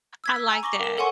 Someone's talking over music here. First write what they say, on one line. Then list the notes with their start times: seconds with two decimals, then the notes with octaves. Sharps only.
I like that.
0.24 E6 G#6 B6
0.36 E6
0.50 G#5 A#5
0.63 C#6 D6 A#6 F#7 G7
0.79 A#4 E7
0.98 A4 C#5 F#5 G#5 C6 C#6